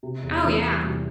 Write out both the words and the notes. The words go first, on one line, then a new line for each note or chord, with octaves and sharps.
Oh, yeah.
C3
E2
E3
G3
C3